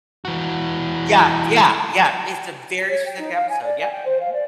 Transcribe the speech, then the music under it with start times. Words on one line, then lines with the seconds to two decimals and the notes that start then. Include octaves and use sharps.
Yeah, yeah, yeah, it's a very specific episode, yep, mhm.
0.25 E3 F#4
2.88 C#5
3.05 G5
3.18 D#4
3.33 F5
3.49 G#5
3.64 D5
3.80 G#5
3.92 G5
4.05 C5
4.20 F5
4.32 D5